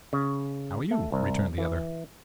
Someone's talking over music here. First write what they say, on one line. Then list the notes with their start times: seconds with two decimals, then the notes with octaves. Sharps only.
"How are you?" returned the other.
0.13 C#3
0.91 A3
1.12 C2
1.58 E3